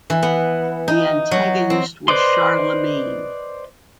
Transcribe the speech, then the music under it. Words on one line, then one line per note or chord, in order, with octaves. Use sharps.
The antagonist was Charlemagne.
E3
B3
D#4
F#3
C4
B4 C5 D5 D#5 C6